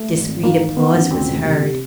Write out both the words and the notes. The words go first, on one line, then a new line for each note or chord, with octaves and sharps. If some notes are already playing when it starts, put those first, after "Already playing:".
Discreet applause was heard.
Already playing: A3
G#1
G#1
D#3 A#3
D#3
D#3 B3
F#2
D2 C4
E1
C3
C3